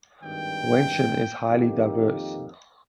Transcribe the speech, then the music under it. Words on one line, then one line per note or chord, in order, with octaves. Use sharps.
Wenshan is highly diverse.
G#1 G2 D#3 G5
F2 D#3 A#3 D#4 G4